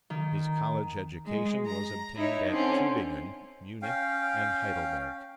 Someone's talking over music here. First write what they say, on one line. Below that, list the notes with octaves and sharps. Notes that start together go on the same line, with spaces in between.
His college education was obtained at Tuebingen, Munich, and Heidelberg.
D#3
G#3
A#5
D#4 E4 C#5
D3 C4 C#4
C#4 F5 G5